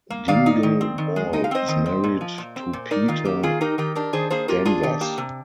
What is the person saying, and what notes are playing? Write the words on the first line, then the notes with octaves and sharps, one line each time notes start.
Dingle-Wall is married to Peta Danvers.
A#3
D#3 D5 F5
D#4
D#3
C4
D#3
G#3
D#4 D#5
F5
C4 C5 D#5
D#3
C4
A#2
F3
A#2
C4
A#2
D#4 A#4 D5
D#3 F4
A#3 G4
D#3 F4 G#4
D#4 G4 A#4
D#3 G4 A#4
D4 G4 A#4
D#3 G#4 C5
A#3 G#4 C5
F4 G4 A#4
D4 F4 G#4
D#3 G4
A#3 G4
C3